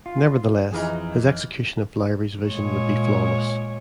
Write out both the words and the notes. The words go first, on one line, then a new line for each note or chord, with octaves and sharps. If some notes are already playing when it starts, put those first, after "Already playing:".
Nevertheless, his execution of Lowry's vision would be flawless.
F4
F2 E3 D#4 F4 G#4
A#2 G#3 C#5